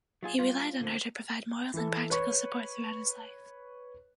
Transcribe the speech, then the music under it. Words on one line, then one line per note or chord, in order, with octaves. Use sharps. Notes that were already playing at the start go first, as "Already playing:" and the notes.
He relied on her to provide moral and practical support throughout his life.
F#3 F4 G#4
G3 A#3 F4
D3 A#3 C4
E3 A4
B4 C#5 C#6